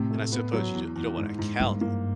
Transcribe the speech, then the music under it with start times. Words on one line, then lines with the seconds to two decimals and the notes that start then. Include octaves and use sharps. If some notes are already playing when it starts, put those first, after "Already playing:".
And I suppose you don't you don't wanna count on
Already playing: A2 C3
0.11 A3
0.32 B3
0.53 F#3
0.74 E2
0.96 E2
1.17 G#2
1.39 G#2
1.60 G2 A#3
1.81 A#3